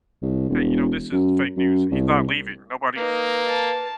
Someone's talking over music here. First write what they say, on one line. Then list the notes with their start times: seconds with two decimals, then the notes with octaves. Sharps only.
"Hey, you know, this is fake news. He's not leaving, nobody's
0.22 C2
0.49 E1
1.12 F#2
1.56 F#2
1.91 C2
2.97 A#3 D#4 B4
3.48 A5